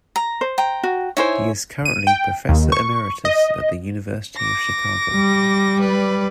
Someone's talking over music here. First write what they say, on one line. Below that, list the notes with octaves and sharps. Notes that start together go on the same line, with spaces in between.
He is currently professor emeritus at the University of Chicago.
A#5
C5
G5 A#5
F#4
D#4 E4 C5 C#5 G#5
D#7
G5
D#2
C#6
D#5
D6 A#6
G3
B4 D5